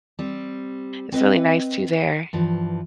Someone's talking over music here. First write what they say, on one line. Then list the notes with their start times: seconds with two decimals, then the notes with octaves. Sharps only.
It's really nice too there.
0.19 G3 C4
1.12 C4 B4 D#5 F#5
2.33 G2 E3 F3